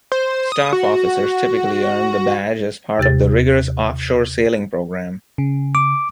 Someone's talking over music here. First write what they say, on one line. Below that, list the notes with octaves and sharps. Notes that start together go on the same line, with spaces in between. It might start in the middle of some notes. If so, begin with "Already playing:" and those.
Staff officers typically earn the badge as part of the rigorous off-shore sailing program.
C5
D#6
F#4
D#2 C3 G4 A6
C#3
D6